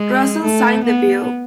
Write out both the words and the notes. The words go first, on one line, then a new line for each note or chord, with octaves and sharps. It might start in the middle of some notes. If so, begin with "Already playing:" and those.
Russell signed the bill.
Already playing: G#3
A3
B3